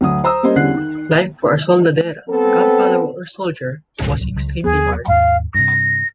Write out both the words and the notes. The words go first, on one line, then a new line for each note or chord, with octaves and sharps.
Life for a soldadera, camp follower or soldier, was extremely hard.
D2 F#3 D#6
C5 A#5 D#6 E6
G3 A#3 C#4 C5 D#5
E2 D3 G3 C#4 F#6 C7
D#3
B3 C4 A4
D1 C2
C#2
D#2 B3 G#4
D#2 G#2 F5
G2 C3 A#6